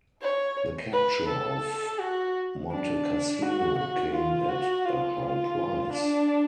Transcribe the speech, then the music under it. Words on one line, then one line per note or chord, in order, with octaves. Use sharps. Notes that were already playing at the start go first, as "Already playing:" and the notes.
The capture of Monte Cassino came at a high price.
C#5
B4
A4
F#4
D4
F#4
F#4
F4
F#4
F4
F4
D4